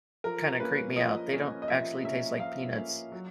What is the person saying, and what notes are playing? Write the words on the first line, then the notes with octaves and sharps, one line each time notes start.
kinda creep me out, they don't actually taste like peanuts.
F3 A#4
A#3 C#4 B4
F3 D#5
A#3 C#4
D#5
F3 E5
A#3 C#4 E5
F3 F5
A#3 C#4
F#3